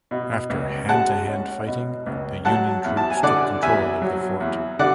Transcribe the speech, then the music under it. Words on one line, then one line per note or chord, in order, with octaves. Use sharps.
After hand-to-hand fighting, the Union troops took control of the fort.
B2
C#2
G#3 F#5 A5
C#4
B2
C#2
F#3 F#5 A5
E2
A5
G#5
D3 D5 F#5
E2 E5 G#5
F#3
E2
D3 D5 F#5